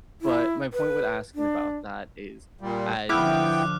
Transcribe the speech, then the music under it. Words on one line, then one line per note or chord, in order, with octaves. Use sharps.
but my point with asking about that is, as
E4
B4
D4
A#2 G3
D3 F3 B3 E4 G5 D6 F6 F#6